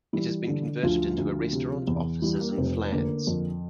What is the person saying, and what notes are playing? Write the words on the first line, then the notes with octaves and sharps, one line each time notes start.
It has been converted into a restaurant, offices and flats.
E3 G3 E4
D3
D2 F3 F4
D2
C3
E2
E3 G3 E4
A#3
F1 C3 C4
D3 A#3
F2